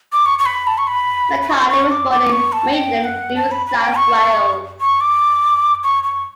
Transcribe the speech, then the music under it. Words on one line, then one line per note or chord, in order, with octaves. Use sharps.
Macartney was born in Maitland, New South Wales.
D6
C#6
C#6
B5
A5
C#6
B5
B5
C#6
C#6
D6
D6
C#6
A5
G5
F#5
A5
B5
B5
G5
C#6
C#6
D6
C#6
C#6